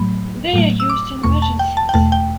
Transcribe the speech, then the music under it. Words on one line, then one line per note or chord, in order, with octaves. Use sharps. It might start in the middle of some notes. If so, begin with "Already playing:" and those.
They are used in emergencies.
Already playing: A2 F#3 A3 B5
A2 F#3 A3
E6
D6
E2 B2 A3 C#6
A5
G5
A5
G5
E2 B2 A3 A5
G5